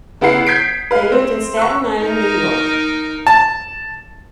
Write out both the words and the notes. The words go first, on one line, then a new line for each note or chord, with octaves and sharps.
They lived in Staten Island, New York.
C#3 B3 E4 F#5 C7
G6 G#6 B6 C7 D7
B4 F5
C4
C#6 E6 F#6
D#4 A#4
A5